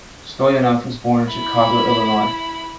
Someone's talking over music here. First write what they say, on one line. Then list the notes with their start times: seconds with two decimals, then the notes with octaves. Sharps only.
Stoyanov was born in Chicago, Illinois.
1.31 E4 B5